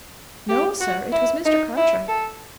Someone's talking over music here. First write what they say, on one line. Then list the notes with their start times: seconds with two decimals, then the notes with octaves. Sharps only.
"No sir--it was Mr. Cartwright."
0.49 G4
0.81 F#4
1.12 E4
1.45 D#4
1.76 E4
2.08 A4